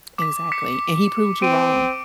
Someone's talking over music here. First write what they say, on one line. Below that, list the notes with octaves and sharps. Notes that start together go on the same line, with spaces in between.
Exactly, and he proved you wrong,
D6 B6
D6 B6 C#7
C4 D7 D#7